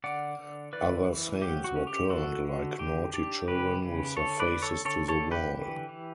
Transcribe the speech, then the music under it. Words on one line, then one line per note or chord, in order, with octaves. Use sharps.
Other saints were turned, like naughty children, with their faces to the wall.
D3 D5 F#5
D3
E3 B4 D5
E3
F#3 G4
F#4
C#4
G4
D3 F#4 A4
D3
D3 G4
D4 G4
C#3 G4 B4
C#3
D3 A4 C#5
B4 D5
D3
A4 C#5
D3 A4 C#5
A4 C#5
D3
G4 B4
E3
E3